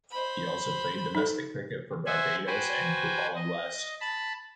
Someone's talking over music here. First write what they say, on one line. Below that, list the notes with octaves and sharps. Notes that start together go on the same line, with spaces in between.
He also played domestic cricket for Barbados and Griqualand West.
C5 B5
D#4 A4
C5 E5 F#5 G#5
F#4 B4 C5 G5 G#5
D#5
A5 B5